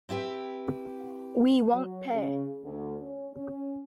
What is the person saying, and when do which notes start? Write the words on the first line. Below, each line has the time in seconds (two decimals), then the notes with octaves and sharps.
We won't pay!
0.09 C4 E4 G4 B4
1.72 F#3
2.12 C#3
2.63 D2
3.01 C#4
3.33 C#4